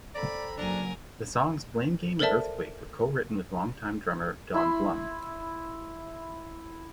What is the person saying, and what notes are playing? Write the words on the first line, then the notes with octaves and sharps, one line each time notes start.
The songs "blame game" and "Earthquake" were co-written with longtime drummer Don Blum.
C4 A4 D5 A#5 B5
F#1 F#3 D4 A#4 G#5
A4 A#4 C5 D5 E5 A5
E4 E5 B5 C6